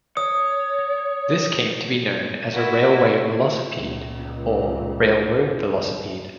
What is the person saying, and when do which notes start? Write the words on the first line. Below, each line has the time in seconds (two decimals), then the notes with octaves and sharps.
This came to be known as a "railway velocipede" or "railroad velocipede".
0.17 C#5 D#6
2.52 E4 F#4
3.72 C#2 A#2